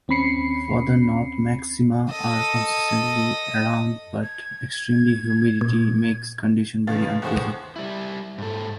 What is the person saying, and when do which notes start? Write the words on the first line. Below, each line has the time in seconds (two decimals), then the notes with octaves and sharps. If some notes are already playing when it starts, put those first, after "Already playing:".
Further north, maxima are consistently around but extreme humidity makes conditions very unpleasant.
0.08 D#2 C4 C#4 B5 C7 C#7
2.10 A4 D#5
4.23 G#6
5.61 A#2
6.87 C#2 G2 E3 F5 A6
7.22 D#2 A2 B3 G#4 C5 F#5
7.76 G3 E4
8.38 G#2 A4